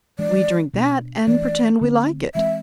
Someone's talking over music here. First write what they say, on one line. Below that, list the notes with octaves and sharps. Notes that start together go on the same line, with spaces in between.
We drink that, and pretend we like it.
E3 G#3 D4 D5
B2 B3 D4
E3 A3 D4 D5
D3 A3 C4
E3 G#3 C4 E5